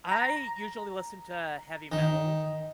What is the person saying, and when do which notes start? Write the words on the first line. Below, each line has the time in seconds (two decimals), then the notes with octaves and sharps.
I usually listen to heavy metal.
0.11 A#5
1.92 D#3